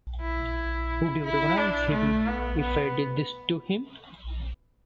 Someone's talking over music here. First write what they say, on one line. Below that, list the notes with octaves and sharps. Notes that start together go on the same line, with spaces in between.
Would you recognize him if I did "this" to him?
E4
E4
D4
A3
B3
B3